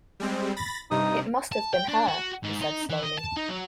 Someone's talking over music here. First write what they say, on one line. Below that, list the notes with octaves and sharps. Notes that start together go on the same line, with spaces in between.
'It must have been her,' he said slowly.
G3 G#3 C4
B5 A6 A#6
G2 C3 D#4 D#6
A5
G5
D4
F#4
G#2
D#4
E3
D#5
A5
D#4
F#3